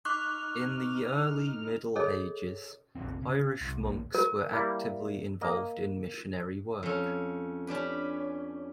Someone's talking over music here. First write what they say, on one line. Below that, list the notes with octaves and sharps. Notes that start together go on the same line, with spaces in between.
In the early Middle Ages, Irish monks were actively involved in missionary work.
D#4 C#6 D6 F6 F#6
G#4 A4 C#5 D#5
F1 A#1 F2 C4
C#3
C2
A#1 D#2 A#3
A#4
G3 A#3 E4
A#3 D#5
F2 C#4
C#4 D4 G4 B4